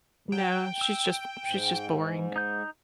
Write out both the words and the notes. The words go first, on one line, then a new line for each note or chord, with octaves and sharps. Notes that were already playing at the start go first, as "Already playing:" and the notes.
No, she's just she's just boring.
F#3 G5
E6
G#2
D#4 G6